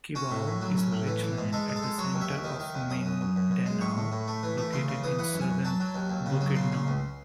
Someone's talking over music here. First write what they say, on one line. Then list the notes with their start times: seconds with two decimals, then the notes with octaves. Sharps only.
Kibawe is a rich land at the center of Mindanao, located in southern Bukidnon.
0.15 C#4 F#4
0.31 A2
0.46 A2
0.61 F#3
0.77 C#4
0.92 A2
1.07 E3
1.23 E3
1.38 G#2
1.53 G#3 A4
1.68 G#3
1.76 A4
1.83 G#3
1.98 F#3 C#5
2.15 D#2
2.21 E5
2.29 D#2
2.44 D#3
2.59 D#3
2.75 D#2
2.90 F#2 D#6
3.05 F#2
3.21 F#2
3.36 F#2
3.51 F#2
3.66 G#3
3.81 A2 C#6
3.97 A2
4.12 A2
4.28 A3
4.43 E3
4.58 A3
4.73 C#3 C6
4.88 C#3
5.04 E3 D#6
5.19 E3 F#5
5.34 F#2
5.41 G#5
5.50 F#2
5.65 F#3 A5
5.80 F#3
5.95 D#2
6.10 D#2
6.26 C#3
6.41 F#3
6.55 C#3 C6
6.72 C#3
6.87 C#2